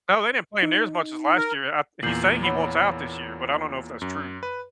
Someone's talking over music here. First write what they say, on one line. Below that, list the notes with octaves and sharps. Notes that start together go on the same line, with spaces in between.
No, they didn't play him near as much as last year. I He's saying he wants out this year, but I don't know if that's true.
D#4
A#4
E2 A#2 G6 C7 F#7
C#5 F#5 B5
F#2
B4